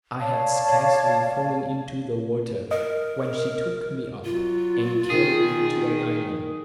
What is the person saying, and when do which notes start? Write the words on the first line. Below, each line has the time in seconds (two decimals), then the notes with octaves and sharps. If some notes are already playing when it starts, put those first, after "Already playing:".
I had scarcely fallen into the water, when she took me up, and carried me to an island.
0.19 C#5 D5 F5 A5
2.71 A#4 D#5
4.25 F#3 F4
5.10 D#3 G#4